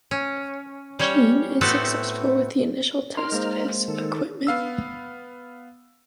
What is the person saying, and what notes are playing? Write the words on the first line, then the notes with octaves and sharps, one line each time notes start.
Gene is successful with the initial test of his equipment.
C#4
G3 C#4 C#5
A2 A3 B3 C4 F#4 A4
D#4 A#4 C6 F6
G#3 A#3 C5
D#3 A4
B3 F5 E6